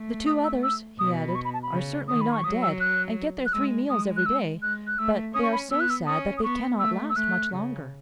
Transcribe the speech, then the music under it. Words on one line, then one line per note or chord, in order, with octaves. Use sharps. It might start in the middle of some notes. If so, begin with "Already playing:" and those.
'The two others,' he added, 'are certainly not dead, and get their three meals every day, but they are so sad that they cannot last much longer.'
Already playing: A3
D#6
E6
E6
B2 D#6
B5
C#6
B5
A5
B5
C#3
D#3 D#6
B5
C#6
F#3 D#6
E6
F#6
F#6
G#3 E6
G#3 D#6
F#6
E6
G#3 F#6
F#6
A3 E6
C#4 D#6
C#6
B5
B3 E6
F#6
E6
C#4 D#6
D#6
B3 C#6
A3 E6
E6
A3 F#6
C#3